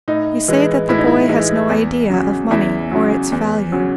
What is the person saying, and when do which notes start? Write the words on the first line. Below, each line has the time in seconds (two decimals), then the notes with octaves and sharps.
You say that the boy has no idea of money or its value.
0.08 A2 D#4
0.48 E3 G#3
0.89 A2 E4
0.98 D#4
1.07 E4
1.29 E3 G#3
1.69 E2
2.10 C#3 F#3
2.51 E2 E4
2.91 C#3 F#3
3.32 E2
3.72 C#3 F#3